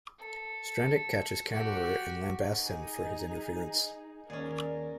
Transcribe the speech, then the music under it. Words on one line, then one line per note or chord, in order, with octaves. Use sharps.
Strannik catches Kammerer and lambastes him for his interference.
A4
F#4 G4
D#4 G#4
D#2 C#4 G#4 A#4 D5